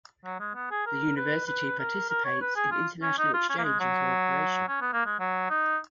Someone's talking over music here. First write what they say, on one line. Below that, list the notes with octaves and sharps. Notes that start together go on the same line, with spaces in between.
The university participates in international exchange and cooperation.
F#3
G#3
B3
G#4
A#4
B4
B4
A#4
A#4
C#5
B4
G#4
F4
C#4
D#4
F4
C#4
A#3
G#3
F#3
C#4
B3
A#3
G#3
F#3
D#4